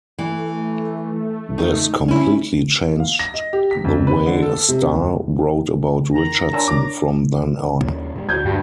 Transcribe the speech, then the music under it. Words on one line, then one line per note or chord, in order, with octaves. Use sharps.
This completely changed the way Starr wrote about Richardson from then on.
E3 A3
D#4
C#4 E4
F5
A#6
D#5
G4
B6
F2
B4
D3
A4
C3
D1
D#3 A#5 F7 F#7
A#2 D4 A4 C#5
D6
D#2 C#3
G#2 G3
D2 F#4 G6 G#6
G2